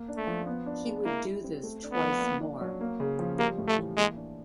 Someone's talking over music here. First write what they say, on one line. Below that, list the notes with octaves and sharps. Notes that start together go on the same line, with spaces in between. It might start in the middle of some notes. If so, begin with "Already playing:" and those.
He would do this twice more.
Already playing: A#3
D4
A3
F3
B3
D4
G#3
A#3 E4
G3
C4
A3
D4
B3
F3
A#3
D4
F#3
A#3
C#3
F3
G3 A#3
A2
A3
E3
G#3 A#3
D4